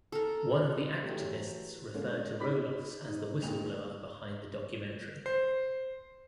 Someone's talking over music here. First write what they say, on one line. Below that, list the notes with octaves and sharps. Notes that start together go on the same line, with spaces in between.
One of the activists referred to Roelofs as the "whistleblower" behind the documentary.
A4 A#4
E3 F#3 A3 G4
D3 G#3 A#3 C#4
D#4 B5 D6 B6
D#4
A1 D#2 D#4 G#4 F7
C5 C7